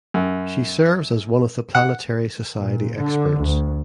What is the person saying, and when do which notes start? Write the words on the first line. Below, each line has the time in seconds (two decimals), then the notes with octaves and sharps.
She serves as one of The Planetary Society experts.
0.14 F#2
1.75 F#5
2.58 A#2
2.97 D3
3.42 D2